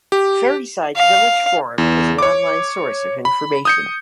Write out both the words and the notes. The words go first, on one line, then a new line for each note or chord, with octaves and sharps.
Ferryside Village Forum is an online source of information.
G4
F5
E2
C#5 D6
B5
D#6 G6 C#7